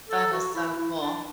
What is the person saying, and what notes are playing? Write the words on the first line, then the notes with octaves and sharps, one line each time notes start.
That is so cool.
A4
F#4
E4
E4
D4